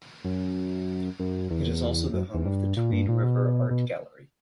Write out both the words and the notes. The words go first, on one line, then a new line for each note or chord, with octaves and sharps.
It is also the home of the Tweed River Art Gallery.
F#2
F#2
E2
F#2
E2
G2
A#2
G2
A#2
B2
B2